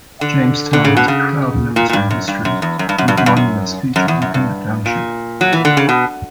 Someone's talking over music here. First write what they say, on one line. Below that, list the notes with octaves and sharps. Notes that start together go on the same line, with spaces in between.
Jamestown has proud military history, with monuments featured within the township.
D3
D3
C#3
B2
C#3
A#2
A#2
G2
F#2
G2
F#2
E2
F#2
G2
F#2
G2
F#2
G2
F#2
F#2
E2
F#2
G2
A#2
F#3
E3
D3
C#3
B2